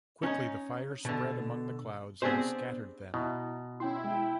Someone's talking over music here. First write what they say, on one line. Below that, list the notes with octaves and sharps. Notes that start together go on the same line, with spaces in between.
Quickly the fire spread among the clouds and scattered them.
C#4 D#4
B2 D3
B3 C4 D4 G4 G#4 C5
B2 E4 A#5
C#4 E4 G5 C6
G#3 G5